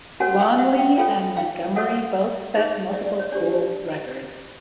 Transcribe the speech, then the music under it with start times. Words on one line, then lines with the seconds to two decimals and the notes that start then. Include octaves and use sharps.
Longley and Montgomery both set multiple school records.
0.20 C#4 F#4 A#4 C#5 F#5 G#5
0.40 F5 G5
0.58 E5 F#5
0.78 F5 G5
0.98 F4 A4 C#5 F5 G5
1.37 F5 G5
1.76 F#4 A4 C#5 E5 F#5
2.54 D#4 G#4 C#5 D#5 F5
2.93 D5 E5
3.06 D5
3.19 C#5
3.32 D4 G4 C5 D5